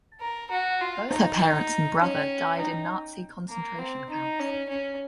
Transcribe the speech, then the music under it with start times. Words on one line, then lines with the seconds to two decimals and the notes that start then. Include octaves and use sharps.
Both her parents and brother died in Nazi concentration camps.
0.20 A#4
0.51 F#4
0.81 F4
1.10 D#4
2.00 C#4
2.59 D#4
3.49 A#3
3.79 C4
4.10 D#4
4.39 C#4
4.69 C#4